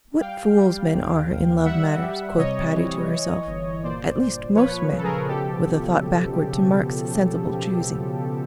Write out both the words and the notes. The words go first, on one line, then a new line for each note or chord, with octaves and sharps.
"What fools men are in love matters," quoth Patty to herself--"at least most men!" with a thought backward to Mark's sensible choosing.
G3 F5 G5
G3
D#2
D#2
G3 E5 F#5
G3
C3 C#5 D#5
E3
E3
G1
A#2 C5 D5
A#2
F3 B4 C#5
C#3
A4
G#4 A#4
B2 G4 A4